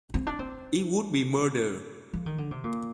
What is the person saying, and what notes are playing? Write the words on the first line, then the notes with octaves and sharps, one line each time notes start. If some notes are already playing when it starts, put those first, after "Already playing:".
It would be murder.
C4
D4
C4
F3
D#3
D3
C3
A#2